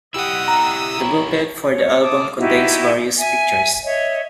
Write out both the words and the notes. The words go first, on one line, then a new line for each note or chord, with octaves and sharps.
The booklet for the album contains various pictures.
E4 G4 D#5 F#5 D#6 E6
A#5
E4 G4 C#5
C#5
A5 D6 D#6
D#4 E4 F#4 G4
E5 G#5
C#5 D#5 E5